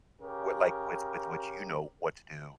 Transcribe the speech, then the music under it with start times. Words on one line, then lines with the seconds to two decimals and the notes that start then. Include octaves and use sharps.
what, like, with with which you know what to do
0.20 C#3 G4 A#4